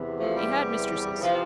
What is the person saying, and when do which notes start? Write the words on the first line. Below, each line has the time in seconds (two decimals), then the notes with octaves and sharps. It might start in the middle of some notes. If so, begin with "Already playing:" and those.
He had mistresses.
Already playing: E2 C3 E3
0.18 F3 A3
0.34 G3
1.20 C3 E3 F3